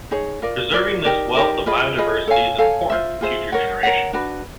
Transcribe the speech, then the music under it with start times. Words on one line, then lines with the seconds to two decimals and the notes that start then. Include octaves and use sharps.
Preserving this wealth of biodiversity is important for future generations.
0.11 D#4 G#4 C#5
0.42 F4 A#4 D5
0.73 F4 A#4 D5
1.04 D#4 G4 A#4 D5
1.35 D#4 G4 A#4 D5
1.66 F4 G#4 B4 D#5
1.97 F4 G#4 B4 D#5
2.27 A4 C#5 F5 G#5
2.58 A4 C#5 F5 G#5
2.90 F4 G#4 C5 E5
3.21 F4 G#4 C5 E5
3.52 A#4 C#5 F#5
3.83 A#4 C#5 F#5
4.13 D4 F#4 B4